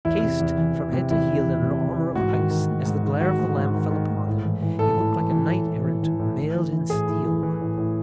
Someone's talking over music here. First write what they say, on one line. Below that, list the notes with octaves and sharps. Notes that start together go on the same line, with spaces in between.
Cased from head to heel in an armor of ice, as the glare of the lamp fell upon him, he looked like a knight-errant mailed in steel.
E2 E4
C3
E2
E3
E2
C3
E2 E4
E3
E2
C3
E2
E3
G#2 F#4
D#3
D#3
G#2
G#2
D#3
D#3 F#4
G#2
G#2
D#3
D#3
G#2
A2
E3
E3
A2 A4
A2
E3
E3
A2
A2
E3
E3
A2
A2
E3
E3
A2 G#4
A2
E3
E3
A2
A2